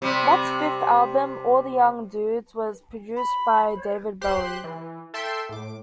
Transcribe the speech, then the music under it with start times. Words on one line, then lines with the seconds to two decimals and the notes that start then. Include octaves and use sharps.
Mott's fifth album, "All the Young Dudes", was produced by David Bowie.
0.02 C3 G3
3.17 B5
4.21 G4 C5 C6 F#6
4.64 E3
5.14 A4 E5 G5 C6
5.49 A2 D6